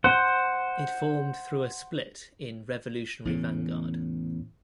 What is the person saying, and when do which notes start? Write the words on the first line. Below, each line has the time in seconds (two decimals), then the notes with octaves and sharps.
It formed through a split in Revolutionary Vanguard.
0.04 C5 F#5
3.25 E2 A2 C#3